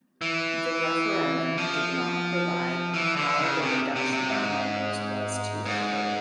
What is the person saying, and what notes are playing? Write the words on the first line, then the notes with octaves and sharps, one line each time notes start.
The referendum did not provide how the reduction of members was to occur.
E3
F3
E3
D3
C#3
C3
C3
C3
G#2
G#2